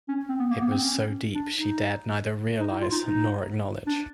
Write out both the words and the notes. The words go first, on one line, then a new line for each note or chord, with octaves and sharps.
It was so deep she dared neither realise nor acknowledge.
C#4
C4
B3
A#3
B3
C4
C#4
D4
D#4
D#4
E4
F4
D#4
D#4
D4